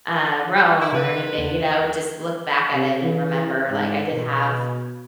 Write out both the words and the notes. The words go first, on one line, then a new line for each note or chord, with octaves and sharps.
uh, Rome or anything, you know? Just look back at it and remember, like, "I did have
E4
C#3 F4 B4
E2
C3
E3
G#2
B2